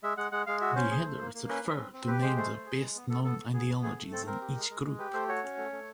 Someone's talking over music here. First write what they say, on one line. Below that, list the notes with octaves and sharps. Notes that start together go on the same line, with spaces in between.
The headers refer to names of the best-known ideologies in each group.
G#3 E5
G#3 F#5
G#3 F#5
G#3 F5
F#4 E5
C#4 C5
G#4
A3
A#3
A#3
C#4 B4
C#4
C4
C4
G4 B4
G#3 C5
A3 C5
A3
G#4
G#3
B3
B3 A4
B3 A4
B3
B3 G#4
B3
A3 G#4
A3
C4 A4
C4 A#4
G4
G#3
G#3
G#3
G4 B4
A3 C5
F#4 C#5
C#4
A3
A3